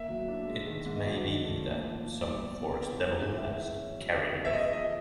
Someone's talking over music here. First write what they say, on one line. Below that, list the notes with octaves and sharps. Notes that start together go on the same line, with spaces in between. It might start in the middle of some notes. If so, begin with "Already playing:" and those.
It may be that some forest-devil has carried it off.
Already playing: A#3 E5
F#3
D4
G#3
D#3
G#2
D#5
F#3 D5
D#3
A3
A#3
F3
A#2
G3 D5
B2
C2
D3
G2
A1
G#3 E5
E3
C#4
F#3
C#3
B3
E5
G#3 D#5
F3 D#5
D#5